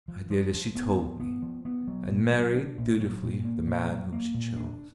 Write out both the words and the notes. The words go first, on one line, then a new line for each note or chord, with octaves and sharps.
I did as she told me and married dutifully the man whom she chose.
F3
F3
F3
B3
F3
B3
F3
B3
F#3
A#2
F#3
D4
A#2
F#3
A#2
A#3
A#2
F#3
A#3
A#2
D4